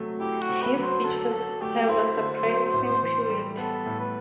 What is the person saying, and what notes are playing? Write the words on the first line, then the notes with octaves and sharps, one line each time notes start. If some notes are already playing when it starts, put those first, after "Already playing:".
Her features have a surprising purity.
Already playing: C3 F#3 A3
E4 G4
F#4
C3
B4
F#3
C5
D3 A4
F#3 A4
A3 G4
E4 C5
D3
F#3
A2
E3
G3
B3 A4
A2
B4